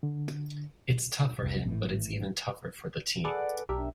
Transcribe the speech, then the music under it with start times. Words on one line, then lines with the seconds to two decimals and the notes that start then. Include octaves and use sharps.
It’s tough for him, but it’s even tougher for the team.
0.03 D3
1.42 F1 C2
1.66 G#1 A2 E3
3.24 G#4 A4 B4 D5 F#5 D6
3.69 B1 D4 G4 A#4 E5